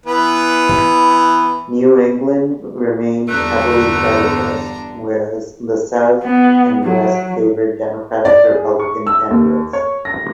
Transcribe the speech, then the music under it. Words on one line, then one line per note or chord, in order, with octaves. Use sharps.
New England remained heavily Federalist, whereas the South and West favored Democratic-Republican candidates.
E3 B3 B4
E2 G2 D3 A3 D4 A#5 F#6
B3
F#3
D5
G#4
C#6
E6
D#2
C#5
A#6